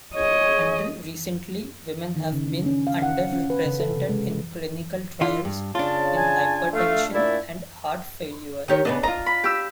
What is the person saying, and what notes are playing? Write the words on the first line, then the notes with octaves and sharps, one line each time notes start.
Until recently women have been under-represented in clinical trials in hypertension and heart failure.
G#4 C#5 D#5
D#3
C#3
D4
C#4
F5
F#5
C#4
B4
C#3
A4
C3
G#3
E3 F4
G2
C#3 D4 F4 A5
G#5
A3 F5
A#2 A3 E4 D5
D#3 G4 C#5
C#3 B3 D4 D#5
F4 D#5 A#5
B5
G4 E6